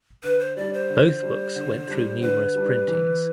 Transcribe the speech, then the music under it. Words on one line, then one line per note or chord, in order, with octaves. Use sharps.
Both books went through numerous printings.
D3 B4
C5
G3 D4 D5
C5
D3
G3 D4
D3
G3 D4
D3 B4
G3 D4
E3